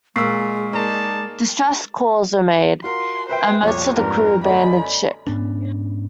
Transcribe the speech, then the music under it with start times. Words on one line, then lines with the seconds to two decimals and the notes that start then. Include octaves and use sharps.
Distress calls were made, and most of the crew abandoned ship.
0.16 A#2 G#3 A#4 C#6 E6 B6 C7
0.73 A#3 D#4 D5 A5
2.84 F4 F#4 A#4 C6
3.29 B4 C5 E5 G5
3.63 C2 F2 A#2 F3 C#5 D6
3.97 F2 G#2 G3 D4 A#4 B4
4.44 G1 F#2 A3 D5 D#5 B5
5.27 G#2 B3 C#4 D4